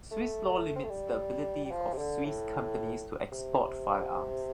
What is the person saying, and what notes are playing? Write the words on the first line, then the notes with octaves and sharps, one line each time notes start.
Swiss law limits the ability of Swiss companies to export firearms.
A3
C4
A3
G3
G3
F3
C3
D3
A2
C3